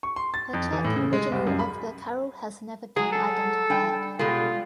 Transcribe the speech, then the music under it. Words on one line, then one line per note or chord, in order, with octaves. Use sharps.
The Czech original of the carol has never been identified.
C#6
C6
A6
F2
E3
A2
C#3
G#3
C2
F#2
B5
F#3 G#3 G#4 G#5
A4
G3 D4 G5
B2 G3 G#3 F4 A4